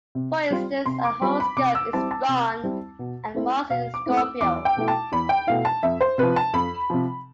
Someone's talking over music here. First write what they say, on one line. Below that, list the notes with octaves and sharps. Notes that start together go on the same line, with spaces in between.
For instance, a horoscope is drawn and Mars is in Scorpio.
C3
G3 C4 F4
C3 C6
D6
G3 C4 F4 B5
B5
C3 D6
E6
G3 C4 E4 A5
A5
C3
G3 C4 E4
B2
A3 C4 E4
B2 F5
D6
A3 C4 E4
E6
E2 D6
G5
B2 A3 E4
A5
E2 B5
G5
B2 A3 E4 F5
A5
F2 E5
C5
C3 F3 B4
A5
F2 B5
C3 F3